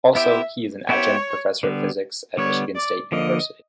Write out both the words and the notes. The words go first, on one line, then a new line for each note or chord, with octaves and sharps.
Also, he is an Adjunct professor of physics at Michigan State University.
B3 E4 G4 C5 E5
B3 E4 G4 C5 C#5
D3 G3 B3
D3 G3 B3 C#5
D5
D3 F3 A#3 D#5